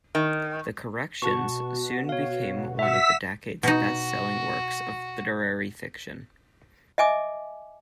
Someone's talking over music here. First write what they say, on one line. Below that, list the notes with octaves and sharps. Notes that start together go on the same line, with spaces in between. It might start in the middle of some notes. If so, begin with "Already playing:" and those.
"The Corrections" soon became one of the decade's best-selling works of literary fiction.
D#3
B2 F#4 A5 C#6
C#5 F5
E5 F#5 E6 B6
B2 D#4 F#4
D#5 E5 G#5 D6 D#6